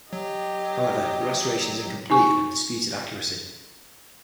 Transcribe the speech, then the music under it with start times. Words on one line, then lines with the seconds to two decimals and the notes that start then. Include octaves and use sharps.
However, the restoration is incomplete and of disputed accuracy.
0.13 F#3 G4 D#5
2.10 D#4 G#5 C#6